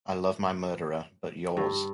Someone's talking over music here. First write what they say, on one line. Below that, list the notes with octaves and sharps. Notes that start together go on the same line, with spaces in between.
I love my murderer — but yours!
G2